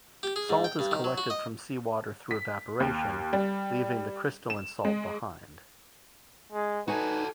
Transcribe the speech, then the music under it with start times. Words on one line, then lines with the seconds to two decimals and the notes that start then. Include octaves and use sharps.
Salt is collected from seawater through evaporation, leaving the crystalline salt behind.
0.23 G4
0.36 G#4
0.49 G#2
0.64 G5
0.79 G2
0.91 D#3
1.04 F#3
1.18 F#4
1.30 D#5
2.31 B6
2.80 D#2
3.33 G3
4.50 E7
4.85 G#3
6.52 G#3
6.88 D#4 F#4 A4 B4 C#5 G#5